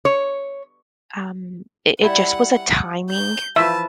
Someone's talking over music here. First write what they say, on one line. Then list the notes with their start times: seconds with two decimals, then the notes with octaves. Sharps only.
um, i it just was a timing
0.05 C#5
2.02 G3 E4 F#5
3.10 G6
3.56 E3 F3 B4 E5 A5